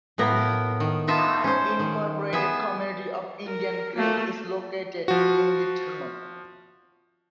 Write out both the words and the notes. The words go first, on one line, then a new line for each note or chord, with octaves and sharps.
The unincorporated community of Indian Creek is located in the town.
A2 A#3 B3 A#4
D#3
B3 D#4 F4 E5 A5
C#4 C5
D#3
B3 G#4 E5
A#4
A3 A#3
F3 F#4